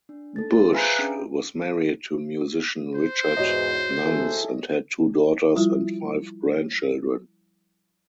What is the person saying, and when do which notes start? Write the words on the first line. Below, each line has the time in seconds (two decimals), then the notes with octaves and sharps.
Bush was married to musician Richard Nunns and had two daughters and five grandchildren.
0.09 D4
0.36 A4 A6
0.51 G#4 C5 C6 A6
0.73 B4 E5 F5 G#5 A#5 B5
0.99 C#4 D4 G#4 G5
2.95 C5
3.36 E2 G#2 F#4 C#5 D#5
4.05 E4 G#4 A4
5.56 F3 G3 E4 F4